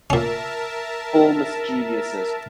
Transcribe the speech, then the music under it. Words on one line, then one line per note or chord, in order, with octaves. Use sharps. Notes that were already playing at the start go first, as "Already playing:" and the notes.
full mischievousness.
A#2 C#4 A#4 E5 A5